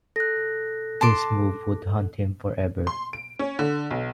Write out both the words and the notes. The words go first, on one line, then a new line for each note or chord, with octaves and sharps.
This move would haunt him forever.
A4 F#6 A#6
A5 C6 D6
C6
D7
C#4
D3
B1